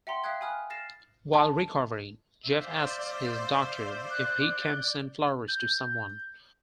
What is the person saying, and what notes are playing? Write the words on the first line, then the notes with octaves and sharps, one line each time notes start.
While recovering, Jeff asks his doctor if he can send flowers to someone.
E5 F#5 G5 A#5 C6
E5 F5 G5 D#6 F#6 G#6
G#5 B5 D#6 F6 F#6
F6 A6 A#6 C7 E7
A5
C5 D5 E5 F5 G6
F#6
G6